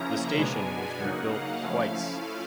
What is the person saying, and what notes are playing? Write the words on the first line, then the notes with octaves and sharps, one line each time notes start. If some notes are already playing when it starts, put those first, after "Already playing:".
The station was rebuilt twice.
Already playing: C#3 F3 A#3 C#4 E4 A#5
B2 G#3 B3 D4 G#5
C#3 F#3 A#3 D#4 F#5
F5
F3 A3 C#4 E4